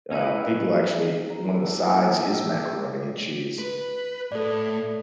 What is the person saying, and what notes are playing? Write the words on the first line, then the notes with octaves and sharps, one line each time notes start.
Uh, people actually one of the sides is macaroni and cheese.
C#4 D#4 E4 B4
A#5
A2
D4
A#3
G5
E5
G4
G#4
B4
A2 A4 D5